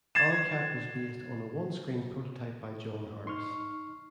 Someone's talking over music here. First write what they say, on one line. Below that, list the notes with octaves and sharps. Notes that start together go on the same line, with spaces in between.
"Alley Cat" was based on a one-screen prototype by John Harris.
G#6 A6 C7 E7
D#4 C6 C#6 F6